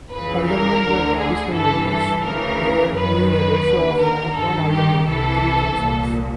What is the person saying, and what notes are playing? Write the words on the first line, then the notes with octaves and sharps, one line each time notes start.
Aldermen were additional members, there being a ratio of one alderman to three councillors.
F2 C#3 E3 B4
A#4
D2 D3
G#4
G2 E3 A4
A4
D2 C#3 E3 A#4
F#2 D#3 B4
B4
D#2 D3
A#4
G2 D#3 A4
G4
C2 C3 E3 A4
C2 A#2